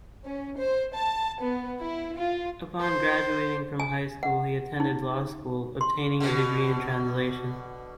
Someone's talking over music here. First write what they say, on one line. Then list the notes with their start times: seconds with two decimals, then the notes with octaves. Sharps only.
Upon graduating from high school, he attended law school, obtaining a degree in translation.
0.25 C#4
0.58 C5
0.94 A5
1.43 B3
1.80 E4
2.18 F4
2.80 C5
3.80 G#5
4.23 F#5
4.80 D#4
5.81 C6
6.20 B2 D3